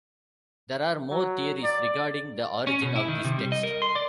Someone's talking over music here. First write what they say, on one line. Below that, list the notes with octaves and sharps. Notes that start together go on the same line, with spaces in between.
There are more theories regarding the origin of these texts.
F#3
D5
C#4
B2
E4
D#3
C3
G3
D#5
A#4
C6
D5